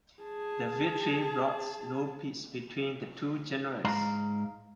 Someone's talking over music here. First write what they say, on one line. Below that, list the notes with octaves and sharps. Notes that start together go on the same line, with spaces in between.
The victory brought no peace between the two generals.
G#4 A5
G#2 F5 A#5